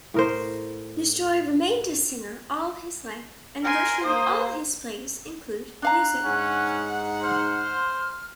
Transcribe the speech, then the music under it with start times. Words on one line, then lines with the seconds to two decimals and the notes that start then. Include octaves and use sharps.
Nestroy remained a singer all his life, and virtually all his plays include music.
0.14 A2 A#4 C5
3.64 A#4 G#5 C6
4.04 A#3 C5 D#6
5.82 D4 F5 A#5 F#6
6.25 G#2 C#4 D#4 F#5
7.23 C5 F6